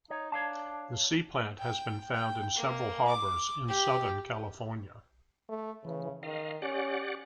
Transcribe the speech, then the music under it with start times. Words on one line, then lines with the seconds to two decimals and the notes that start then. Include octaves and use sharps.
The sea plant has been found in several harbors in southern California.
0.10 D#4 C#5
0.32 D4 C#5 F5 A5
1.59 G5
2.14 G5
2.55 A#3
3.07 D6
3.68 G4
5.49 A3
5.85 C#3 E3
6.23 D#3 D#5 F5
6.62 C#4 G4 D5 F#5